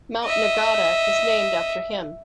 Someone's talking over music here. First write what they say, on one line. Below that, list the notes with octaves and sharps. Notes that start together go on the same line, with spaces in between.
Mount Nagata is named after him.
D#5 E5